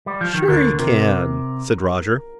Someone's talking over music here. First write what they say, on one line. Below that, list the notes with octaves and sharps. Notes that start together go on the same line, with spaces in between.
"Sure you can," said Roger.
G3
F3
D#3
D2 D3 A#4
C3 A#4